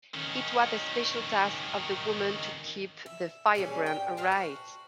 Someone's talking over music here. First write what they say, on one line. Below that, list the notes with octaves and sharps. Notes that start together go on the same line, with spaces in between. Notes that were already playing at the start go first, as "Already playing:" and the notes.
It was the special task of the women to keep the firebrand alight.
D#3 C#4
E5
A#2 G3 C#4 G#4
G5
A2 F4 B4 C5
F#4